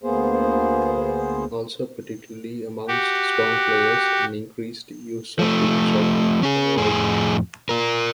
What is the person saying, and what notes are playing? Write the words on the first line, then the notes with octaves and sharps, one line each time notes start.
Also, particularly amongst strong players, an increased use of the English Opening for White.
D2 A#3 B3 G#4 C5
F#4 G4
F3 A3
C#4 G#4
F2 A2 G#4
F4 A#4